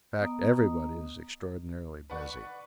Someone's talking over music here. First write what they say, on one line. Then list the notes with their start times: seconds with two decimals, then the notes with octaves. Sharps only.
In fact, everyone is extraordinarily busy.
0.20 B3 D#5 A#5 D#6
2.10 B4 D5 F#5 C#6